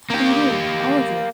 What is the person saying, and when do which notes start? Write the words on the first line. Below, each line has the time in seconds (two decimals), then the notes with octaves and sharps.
How do you do, all of you?
0.10 A#3 G4